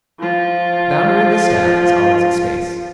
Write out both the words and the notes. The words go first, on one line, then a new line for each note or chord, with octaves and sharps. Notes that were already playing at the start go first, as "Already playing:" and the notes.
The boundary of the staff is always a space.
F3 F4